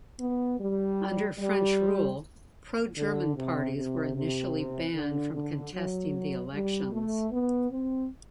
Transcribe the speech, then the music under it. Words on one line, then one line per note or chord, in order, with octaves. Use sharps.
Under French rule, pro-German parties were initially banned from contesting the elections.
B3
G3
G3
D3
C3
C3
C3
D3
D3
F#3
G3
A3
B3
C4